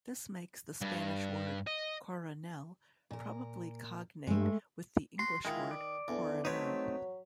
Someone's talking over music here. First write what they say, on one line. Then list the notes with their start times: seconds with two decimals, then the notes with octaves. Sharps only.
This makes the Spanish word "coronel" probably cognate with the English word "coroner".
0.81 G2
1.67 D#5
3.11 A#2 A#4
4.27 G2 G#3 A3
5.19 F#4 C6
5.45 D#3 G#3 E4 F4
5.71 D5
6.08 E2 D3
6.45 F#3 A3 C4 D#4 B4 C#5